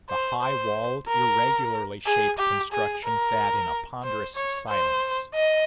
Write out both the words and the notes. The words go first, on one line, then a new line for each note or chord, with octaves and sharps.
The high-walled, irregularly shaped construction sat in a ponderous silence.
C5
C5
A#4
G#4
G4
G#4
A#4
C5
C#5
C5
D#5